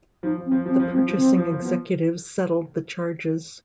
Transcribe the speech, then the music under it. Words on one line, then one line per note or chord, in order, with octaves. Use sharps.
The purchasing executives settled the charges.
F3 D#4
F3
C4
F3
F3
C4
F3
F3 C4
F3
C4
F3
F3
F3
B3
F3